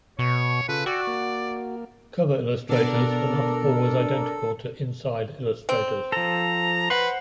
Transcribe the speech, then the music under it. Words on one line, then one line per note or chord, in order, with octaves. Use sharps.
Cover illustrators were not always identical to inside illustrators.
B2 C#5 C#6
C#3 F4 A4 B4
F#4 D5 G5 E6
A#3
B2 B3 D4 A4 A#4 D5
C4
F3 A4 A#5
B4 C5 F#5 C6